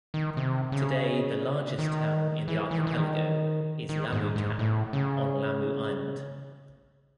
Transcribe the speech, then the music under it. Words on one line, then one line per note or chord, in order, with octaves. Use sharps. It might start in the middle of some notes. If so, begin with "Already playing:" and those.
Today the largest town in the archipelago is Lamu Town, on Lamu Island.
D#3
C3
C#3
D#3
E3
E3
D#3
E3
D#3
D#3
G#2
G#2
A2
C#3